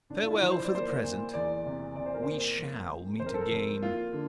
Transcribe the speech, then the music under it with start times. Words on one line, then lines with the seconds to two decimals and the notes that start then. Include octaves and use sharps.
Farewell for the present; we shall meet again.'
0.10 A#2 D4
0.23 F4
0.30 E4
0.42 F3
0.52 C5
0.64 D5
0.73 A#3 C5
1.04 A#2
1.34 E2 D5
1.66 C3
1.95 C3 D5
2.06 C5
2.14 A#4
2.23 A#3 C5
2.59 F2
2.88 A3
3.20 F2 C5
3.26 A#4
3.34 A4
3.41 A#4
3.51 F2 A4
3.82 A#3 F4
4.12 D3